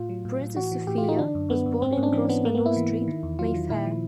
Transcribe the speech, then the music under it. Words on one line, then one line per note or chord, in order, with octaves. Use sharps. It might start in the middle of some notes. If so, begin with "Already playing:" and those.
Princess Sophia was born in Grosvenor Street, Mayfair.
Already playing: A2 F4
F#3
A2
A2
E3 F#4
E3
A2 G4
F4
E3 D#4
D3 D4
F#2
F#2 B3
F#2
G#2 C4
G#2 C#4
D4
E3 C4
E3 B3
G#2 A#3
B3
G#2
E4
E3
E3
D#3
E2
F#3 F4
D#3
A#2 E4
F3